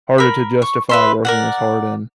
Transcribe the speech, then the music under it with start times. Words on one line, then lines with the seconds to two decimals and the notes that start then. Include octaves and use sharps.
harder to justify working as hard in
0.18 A#4 B5
0.62 C#6
0.89 B4 E5 C6
1.25 A#4 D5 F#5